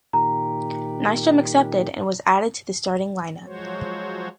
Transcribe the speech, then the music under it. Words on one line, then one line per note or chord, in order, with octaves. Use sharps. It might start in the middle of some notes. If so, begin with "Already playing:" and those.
Nystrom accepted, and was added to the starting lineup.
A#2 D#3 G4 A#5
F3 F#3 G#3 F#4 C5 C#5